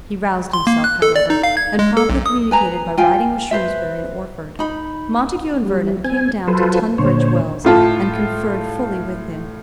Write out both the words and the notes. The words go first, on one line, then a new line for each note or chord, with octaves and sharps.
He roused himself, however, and promptly communicated by writing with Shrewsbury and Orford. Montague and Vernon came down to Tunbridge Wells, and conferred fully with him.
C6
A#3
F#6
A4
D5
D#4
F5
G#6
G#3
A4
B1
D#6
B4 G#5 A#5
F4 G5 G#5
B4 C5 E5
D#4 B5
G3
C4 G#5
F#3 F4 A4 B4 C5
A#2 D3 C5 C#5
A2 F4 A5